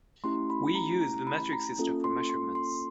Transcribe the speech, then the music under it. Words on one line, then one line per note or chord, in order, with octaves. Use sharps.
We use the metric system for measurements.
A3 C#4 E4 G4 C6
B5
A#5
A#5
B5
A#5
A#3 C#4 F4 A4
C6
C6
C6